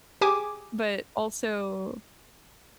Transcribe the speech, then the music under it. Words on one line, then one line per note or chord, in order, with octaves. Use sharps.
but, also
G4 G#4 G#5 D6